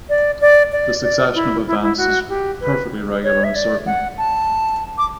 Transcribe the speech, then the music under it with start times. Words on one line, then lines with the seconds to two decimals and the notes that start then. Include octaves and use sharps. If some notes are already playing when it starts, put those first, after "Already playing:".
The succession of events is perfectly regular and certain.
0.09 D5
0.41 D5
0.72 D5
1.04 D5
1.35 E4
1.67 E4
1.82 E4
1.97 F#4
2.29 G4
2.61 B4
3.24 C#5
3.44 E5
3.55 D5
3.86 F#5
4.18 A5
4.98 D6